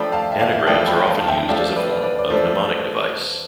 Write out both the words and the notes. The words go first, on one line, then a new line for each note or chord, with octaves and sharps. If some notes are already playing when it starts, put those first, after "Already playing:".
Anagrams are often used as a form of mnemonic device.
Already playing: F3 A3 D4 G5 B5
F5 A5
E5
D5 F5
E5
F5
F3 A3 D4 E5 G5
G5 B5
G5
F5 A5
A5
E5 G5
F3 A3 D4 D5 F5
B4 D5
B4 D5
D5
F3 A3 D4 A4 C5